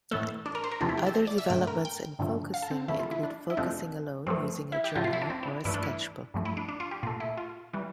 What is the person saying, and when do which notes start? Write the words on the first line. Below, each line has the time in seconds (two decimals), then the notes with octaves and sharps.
Other developments in Focusing include focusing alone using a journal or a sketchbook.
0.11 A2 E3 A3 A4
0.46 D4
0.55 A#4
0.64 C5
0.71 A#4
0.81 E2 C3 F3 A3 D4
0.89 E4
0.97 G4
1.07 A4
1.15 C5
1.27 D5
1.38 E5
1.50 G2 D3 A3 G5
1.67 A#4
1.85 G5
2.19 G2 D3 F3 A3
2.54 F5
2.62 A4
2.71 C4
2.88 E2 D3 A3 E4
2.99 F4
3.11 E4
3.23 D4
3.50 E4
3.57 F2 C3 F3 A3 D4
4.27 G2 F3 A3 C4
4.72 E4
4.84 G4
4.96 A2 F3 A3 G4
5.04 F4
5.13 E4
5.22 D4
5.30 C4
5.43 E4
5.48 D4
5.65 G2 E3 A3 E4
5.74 D4
5.83 E4
6.34 G2 F3 A3
6.45 E4
6.57 D4
6.69 D4
6.80 F4
6.91 G4
7.03 A#2 A3 F4
7.20 E4
7.37 F4
7.73 E3 G3